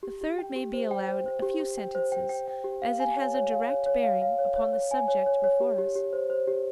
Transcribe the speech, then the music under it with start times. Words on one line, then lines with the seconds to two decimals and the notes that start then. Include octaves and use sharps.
The third may be allowed a few sentences as it has a direct bearing upon the subject before us.
0.03 G4
0.21 G4
0.38 G5
0.56 G4
0.73 C5
0.91 G5
1.08 C5
1.26 C5
1.42 G4
1.60 G4
1.78 G5
1.95 C5
2.12 G5
2.29 G5
2.48 G5
2.64 G4
2.82 F5
3.00 G#5
3.16 C#5
3.35 C#5
3.52 F5
3.69 C#5
3.86 C#5
4.03 F5
4.22 F5
4.38 C#5
4.56 C#5
4.73 C#5
4.91 G#5
5.08 C#5
5.26 C#5
5.44 C#5
5.60 G4
5.78 G4
5.95 G4
6.13 C5
6.30 C5
6.47 G4